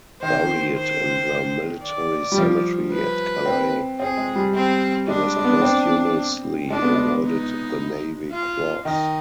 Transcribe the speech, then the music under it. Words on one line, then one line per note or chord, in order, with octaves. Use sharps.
Buried in the military cemetery at Calais, he was posthumously awarded the Navy Cross.
D#3 C5
C5
D5
G3
F3
B4
C4
C4 G#4
G#3
G3
C4
G#3 D4
G#3
B3
C4
G#3 D4
B3
G#3
D#4
F4
D#3 D#4